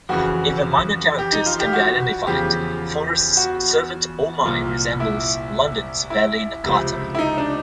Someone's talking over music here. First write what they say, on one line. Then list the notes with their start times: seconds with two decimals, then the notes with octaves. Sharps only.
Even minor characters can be identified; Forrest's servant Oh My resembles London's valet Nakata.
0.09 F2 C#3 E3 F#4
1.19 G4
1.33 D#4
1.46 F4
1.60 G4
1.73 F#4
2.27 E2 C#3 F3 G4
3.37 F#4
4.45 C2 A#2 F3 F4
5.00 E4
6.10 E4
6.64 C#2 C3 F3
7.15 E4
7.19 D#4
7.38 D4